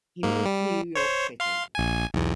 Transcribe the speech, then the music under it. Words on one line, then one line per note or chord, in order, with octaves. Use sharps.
He moved to New York City.
G#2 A#3
G3
C5 C#5
F5 C6
A#1 G#5
B1 E2